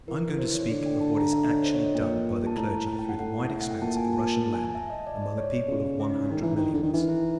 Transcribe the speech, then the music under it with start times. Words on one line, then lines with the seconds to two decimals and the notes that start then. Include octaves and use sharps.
I am going to speak of what is actually done by the clergy through the wide expanse of the Russian land among a people of one hundred millions.
0.08 E3 A#4
0.39 C5
0.55 C#5
0.69 D3 D5
0.86 G5
1.01 A5
1.17 A#5
1.32 E5
1.43 D#5
1.52 C#5
1.63 C5
1.74 C#5
1.84 D#5
1.94 A#2 G5
2.47 A5
2.57 A2 A#5
2.88 A5
2.99 G5
3.09 F#5
3.19 A2 F#5
3.50 E5
3.61 F#5
3.71 G5
3.82 A#2 A5
3.97 G#5
4.13 A5
4.29 A5
4.43 A5
4.54 G#5
4.65 A5
4.75 E5
4.90 D#5
5.07 D5
5.22 D5
5.38 C#5
5.68 C#3
6.00 G#4
6.10 D#4
6.20 D4
6.30 D#3 D#4
6.41 E3 E4
6.51 D#3 D4
6.73 D3
6.83 D#3
6.93 E3 D#4
7.09 E4